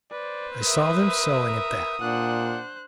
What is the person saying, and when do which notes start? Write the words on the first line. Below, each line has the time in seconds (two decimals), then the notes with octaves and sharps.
I saw them selling at that.
0.12 B4 C5 D5
0.64 A#4 E5 D#6
2.01 A#2 D4 C5 F#5 F#6